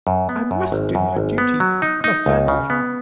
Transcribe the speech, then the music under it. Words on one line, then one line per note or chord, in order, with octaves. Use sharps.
"I must do my duty, must I not?"
F#2
B3
F#2
G#1
F#2
G#1
B3
F#3
D#4
D#4
C#2
C#3
B3